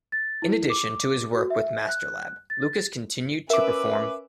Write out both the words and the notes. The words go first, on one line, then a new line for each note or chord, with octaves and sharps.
In addition to his work with Masterlab, Lucas continued to perform.
A6
E4
D6
F#4
E5
F#6
A6
C#4 A#4 B4 E5 D6